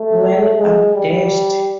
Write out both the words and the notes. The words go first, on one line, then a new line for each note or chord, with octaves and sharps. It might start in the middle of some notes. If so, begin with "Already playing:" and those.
Well, I'm dashed.
Already playing: A3
G#3
G3